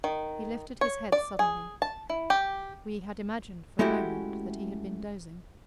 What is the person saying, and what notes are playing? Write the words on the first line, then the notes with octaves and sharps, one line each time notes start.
He lifted his head suddenly; we had imagined for a moment that he had been dozing.
D#3
C#5
D5
G#4
A5
E4
G4
G#3 A3 C#4 E4 F#4 G4